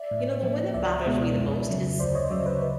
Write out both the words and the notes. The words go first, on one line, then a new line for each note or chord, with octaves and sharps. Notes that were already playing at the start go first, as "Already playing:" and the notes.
You know, the one that bothers me the most is
Already playing: D5 E5
A2
F3 A#3
C#2 D5 E5
B2 G#3 B3
F2
C#3 F#3
D2 C5 D5
C#5 D#5
C#3 F#3 D5 E5
B4 C#5
B4